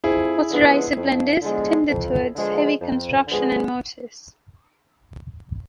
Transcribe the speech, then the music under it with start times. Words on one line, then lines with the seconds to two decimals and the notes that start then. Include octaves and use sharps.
Osterizer blenders tended towards heavy construction and motors.
0.04 F2 E4 G#4
0.50 D3 F3 G#3 B3
0.97 F2
1.42 D3 F3 G#3 B3
1.89 F2
2.35 D3 F3 G#3 B3
2.81 F2
3.27 D3 F3 G#3 B3